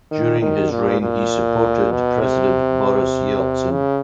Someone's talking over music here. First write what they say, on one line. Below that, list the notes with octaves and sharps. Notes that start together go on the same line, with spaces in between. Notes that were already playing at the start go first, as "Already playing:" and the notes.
During his reign he supported President Boris Yeltsin.
D#3
D#3
A#2
A#2
B2
C3
C#3